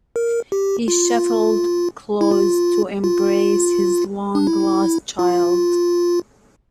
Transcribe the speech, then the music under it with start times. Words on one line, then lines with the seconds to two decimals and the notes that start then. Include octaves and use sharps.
He shuffled close to embrace his long lost child.
0.16 A#4
0.52 G4
0.88 F4
2.21 E4
2.31 F4
3.04 F4
4.35 D4
4.47 E4
5.19 F4